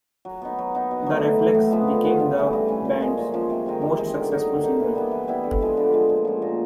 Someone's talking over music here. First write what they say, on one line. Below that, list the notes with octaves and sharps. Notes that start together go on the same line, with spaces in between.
"The Reflex" became the band's most successful single.
F#3
B3 D#4
F#3
B3 D#4
B2
F#3 A3
B2
F#3 A3
A2
F3 G#3 B3
A2
F3 G#3 B3
G2
E3 A3 C#4
G2
E3 A3 C#4
A#2
F3 G#3 C#4
A#2
F3 G#3 C#4
C3
D#3 G#3 C4
C3
D#3 G#3 C4
D3
F#3 A#3 D#4
D3
F#3 A#3 D#4
E3
G3 B3 E4
E3
G3 B3 E4
D3
F3 G#3
D3
F3 G#3
A#2
F3 G#3 C#4
A#2